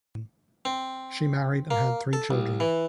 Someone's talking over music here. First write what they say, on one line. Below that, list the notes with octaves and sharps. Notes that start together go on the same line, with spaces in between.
She married and had three children.
C4
A#3
A4
C2
E3